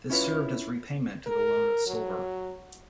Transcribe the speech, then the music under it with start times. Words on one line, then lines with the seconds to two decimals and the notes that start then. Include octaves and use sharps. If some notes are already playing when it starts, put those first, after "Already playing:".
This served as repayment to the loan of silver.
0.10 C#4 E4 F4 B4 C#5
1.27 A#4
1.87 F#3